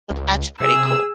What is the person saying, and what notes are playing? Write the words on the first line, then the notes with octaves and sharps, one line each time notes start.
So, that's pretty cool.
C#2
C3 G#4 E6